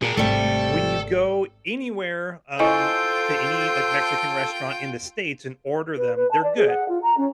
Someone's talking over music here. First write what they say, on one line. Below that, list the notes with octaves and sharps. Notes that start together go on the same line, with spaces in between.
when you go anywhere, um, to any, like, Mexican restaurant in the States, and order them they're good,
A#2 G#4 A#4
G#1 C3 G3 A3 D4 A4
E4 F4 A4 C5 D#5 G5 G#5
B4
B4
A5
D5
G#4
F#5
F4
A#5
C#4